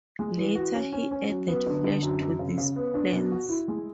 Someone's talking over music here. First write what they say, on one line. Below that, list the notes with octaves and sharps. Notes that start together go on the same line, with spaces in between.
Later, he added flesh to these plans.
G#3
E3
F#4
C#4
C#4
C#4
F#3
B3
D3
D3
F#2
F#2
C#3
C#3
B3
D4
B2
F#4
E4
G#3